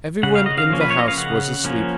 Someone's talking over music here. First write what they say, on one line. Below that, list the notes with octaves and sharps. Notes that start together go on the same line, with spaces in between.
Everyone in the house was asleep.
C#3 F#5
F5
D#5
F5
F3 A#3 C#4
B4
C#5
D#5
F5
C#3 F#5
F3 A#3 C#4